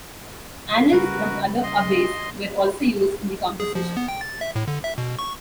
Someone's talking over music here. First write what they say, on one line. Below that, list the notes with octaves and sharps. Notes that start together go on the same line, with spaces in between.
Annals from other abbeys were also used in the composition.
C#3 G3 F#4 A#4 B4
D#5 C6
G#4
F3
B3
G5
A6
E5
A2
D3
E5
B2
C#6